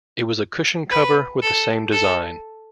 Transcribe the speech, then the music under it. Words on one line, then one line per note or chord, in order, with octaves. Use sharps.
It was a cushion-cover with the same design.
B4
A4
A4